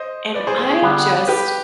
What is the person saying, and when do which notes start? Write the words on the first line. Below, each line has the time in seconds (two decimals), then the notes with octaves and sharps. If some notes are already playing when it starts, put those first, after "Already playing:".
and I just
Already playing: C5 D#5
0.34 B4 D5
0.47 G#4 C5
0.58 G#4 C5
0.70 G#4
0.82 D3 G3 B3 D4
1.28 G4 B4